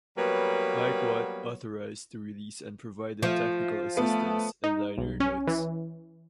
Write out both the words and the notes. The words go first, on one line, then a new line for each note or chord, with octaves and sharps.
Mike Watt authorized the release and provided technical assistance and liner notes.
F#3 G3 A#3 B3 B4 C#5
F3 A3
A3 B3
D#4
B1
C#4
E3